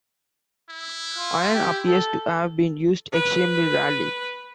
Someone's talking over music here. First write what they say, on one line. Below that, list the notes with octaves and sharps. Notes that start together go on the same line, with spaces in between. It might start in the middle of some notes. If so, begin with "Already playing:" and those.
Iron appears to have been used extremely rarely.
E4
F4
G4
A4
B4